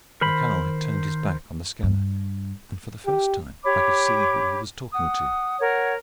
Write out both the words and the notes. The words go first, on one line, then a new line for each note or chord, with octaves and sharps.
Rakhal had turned his back on the scanner and for the first time I could see who he was talking to.
D#3 A#4 C5 B5
G2
G4
G4 C#5 B5 D6
F#5 D#6
A#4 C#5 F#5